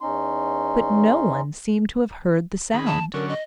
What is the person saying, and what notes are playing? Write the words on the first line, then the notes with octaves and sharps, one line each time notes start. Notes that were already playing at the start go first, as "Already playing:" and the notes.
But no one seemed to have heard the sound.
E2 C#4 D#4 C6
D#3 G#4 B5
A5
D3 F#3 C#4 A#4
D#5